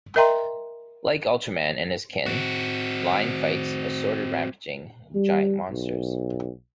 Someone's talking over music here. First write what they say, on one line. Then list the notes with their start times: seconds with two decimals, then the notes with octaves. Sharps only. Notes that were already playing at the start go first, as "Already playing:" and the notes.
Like Ultraman and his kin, Line fights assorted rampaging giant monsters.
0.16 A#4 D#5 E5 G5 A#5 C6
2.26 C4 F#4
5.15 G3
5.70 B1